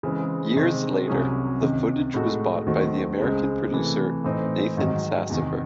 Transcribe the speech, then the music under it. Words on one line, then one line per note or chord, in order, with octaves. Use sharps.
Years later, the footage was bought by the American producer Nathan Sassover.
C#3 E3 G#3 C4
C3 D#3 G#3 C4
C2 C3 F#3 C#4 G#4
C#2 C3 D#3
A2 G#3 D#4 F#4 A4
D#2 D#3 A3 C4 F#4
C#2 C#3 G#3 C4
C3 E3 A3
A2 E3 C4 D#4
G#2 D#3 F#3
E2 C3 D#3